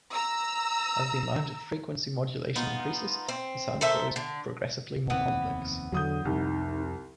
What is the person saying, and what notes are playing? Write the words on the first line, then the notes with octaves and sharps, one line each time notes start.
As the amount of frequency modulation increases, the sound grows progressively more complex.
A#5 E6
B3 D#4 F4
C4
A4 A#4 C5 E5
D3
F1 D#2 E3 B3 C4
E2 D3 F#3 D#6 G6
C2 F2 D#4